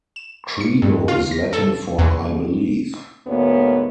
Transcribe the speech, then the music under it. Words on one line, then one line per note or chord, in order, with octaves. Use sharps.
Credo is Latin for I believe.
E7
C#7
G2
F4
A#6
A4
E2
D2 G#2 A#3 B3 C#5